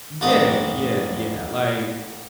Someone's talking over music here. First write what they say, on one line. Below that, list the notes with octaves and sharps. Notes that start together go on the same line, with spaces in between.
Yeah, yeah, yeah. Like,
A1 D4 D#5